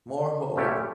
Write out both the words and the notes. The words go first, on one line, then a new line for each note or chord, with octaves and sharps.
Mor ho!
A#2 A3 C#4 E4 G4